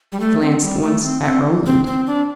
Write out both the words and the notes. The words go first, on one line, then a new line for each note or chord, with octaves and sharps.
He glanced once at Roland.
G3
A3
C4
G3
A3
C4
C4
C4
C4
D4